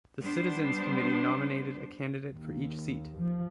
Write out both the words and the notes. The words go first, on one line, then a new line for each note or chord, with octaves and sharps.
The Citizens' Committee nominated a candidate for each seat.
G3 B3 D4 C5
D#2
F3